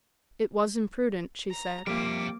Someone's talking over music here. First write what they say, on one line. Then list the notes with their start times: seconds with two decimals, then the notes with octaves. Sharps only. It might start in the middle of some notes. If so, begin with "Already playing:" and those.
"It was imprudent," she said.
1.51 A#5
1.87 F2 G3 A#3 E5 G5 D6